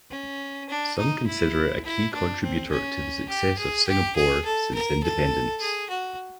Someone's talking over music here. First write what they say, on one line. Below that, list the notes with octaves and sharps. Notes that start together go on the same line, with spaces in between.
Some consider it a key contributor to the success of Singapore since independence.
C#4
D4
D#4
E4
E4
D4
C4
C#4
G4
G#4
G4
G#4
A4
A#4
A4
G#4
F#4